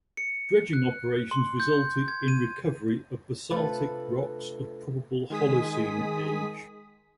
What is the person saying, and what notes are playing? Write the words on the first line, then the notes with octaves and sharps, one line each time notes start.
Dredging operations resulted in recovery of basaltic rocks of probable Holocene age.
C#7
F#6
C6
G6
G#6
D#7
C3 A3 D4 F4 A4 B4
D#3 G#3 G#4 D#6 B6